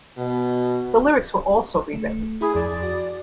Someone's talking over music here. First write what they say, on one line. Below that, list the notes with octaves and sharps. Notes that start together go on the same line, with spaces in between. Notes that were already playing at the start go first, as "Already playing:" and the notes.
The lyrics were also re-written.
B2
A3
E4 G#4 B5 D#6
F2 D5
F#4